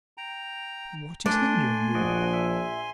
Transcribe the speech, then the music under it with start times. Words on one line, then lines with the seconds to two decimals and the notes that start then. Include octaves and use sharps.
"What is hindering you?"
0.18 G5 A#5
1.26 A3 D4 G#5 C6
1.95 A#1 F#4 D5 D#5
2.33 E5